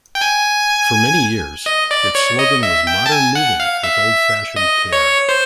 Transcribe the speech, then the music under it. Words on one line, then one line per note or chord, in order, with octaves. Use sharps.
For many years, its slogan was Modern moving with old fashioned care.
G5
G#5
D#5
D5
C#5
D#5
E5
G5
A5
G#5
F#5
F5
E5
D#5
C#5
C5